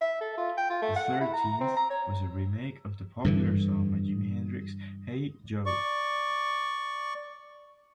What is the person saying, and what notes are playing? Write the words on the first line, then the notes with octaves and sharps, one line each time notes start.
The thirteenth was a remake of the popular song by Jimi Hendrix, "Hey Joe".
E5
A4
F4
G5
F4
A3
F#5
E4
A#5
C4
A#5
C#5
G2 D3 E3
D5 C#6